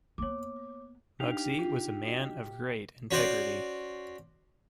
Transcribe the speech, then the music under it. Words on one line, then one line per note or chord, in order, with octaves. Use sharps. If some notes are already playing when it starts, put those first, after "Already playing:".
Muggsy was a man of great integrity.
A#3 B3 C#5 D6
D4 D#4 G4 F5 F7
F4
F#4 D#5
C#4 F#4 C5 D5